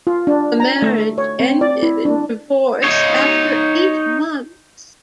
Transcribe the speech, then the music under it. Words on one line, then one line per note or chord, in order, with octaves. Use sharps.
The marriage ended in divorce after eight months.
F4
D4
A#5
A3
C#5
C4
D5
E4
D4
D#4 C#5